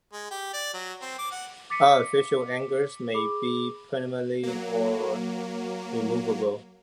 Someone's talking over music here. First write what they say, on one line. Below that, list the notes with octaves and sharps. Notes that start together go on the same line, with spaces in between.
Artificial anchors may be permanent or removable.
G#3
G4
D5
F#3
C4
D6
F#5
D6 A6 B6 C#7 D#7
G#4 B5 D6
F#3 A#3